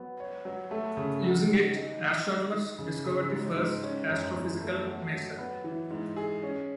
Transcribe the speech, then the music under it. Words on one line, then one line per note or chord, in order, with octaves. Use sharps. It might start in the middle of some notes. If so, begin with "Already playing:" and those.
Using it, astronomers discovered the first astrophysical maser.
Already playing: F#3 B3
C#5
F#3
A3
C#3
F#3
D#3
D#4
D#3
D#4
D#3
C#3
C#3
G#2
G#2
C#4
F#2
E2
A3
F#3
F#3
B3
E3
G#2
G#4
C#4